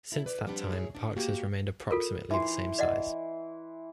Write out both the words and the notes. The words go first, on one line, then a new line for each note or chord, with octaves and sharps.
Since that time, Parks has remained approximately the same size.
E4 A4
B4 D5
F3 G3 B3 C4 D4
E4 G#4 C#5
D4
A#3 F#4 G4
F4 A4 A#4
E3 C6
D5 D#5 F#5